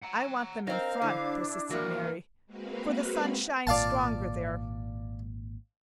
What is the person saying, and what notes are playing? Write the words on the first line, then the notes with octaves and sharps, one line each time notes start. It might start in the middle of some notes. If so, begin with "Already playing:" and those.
"I want them in front," persisted Mary, "for the sun shines stronger there."
F#5 A#5
C4 D#4 A#4 C5 F5
D3 D4 E4
A2 E3 A#3 F#4 A#4
G#3 A#3 C4 F#4 B4 F5
G#1 A#2 D5 F5 A5